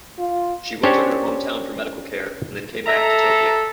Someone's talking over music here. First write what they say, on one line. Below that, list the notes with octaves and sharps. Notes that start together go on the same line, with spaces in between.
She went to her hometown for medical care and then came back to Tokyo.
F4
C#4 D4 G4 C5 C#5
A4 E5 A#5